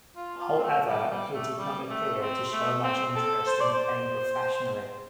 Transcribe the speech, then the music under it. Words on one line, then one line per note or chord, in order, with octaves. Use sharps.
However, he did not appear to show much interest in playing professionally.
F4
F4
C4
A3
G3
G3
A3
G3
A3
C4
A3
C4
A4
C5
D5
C5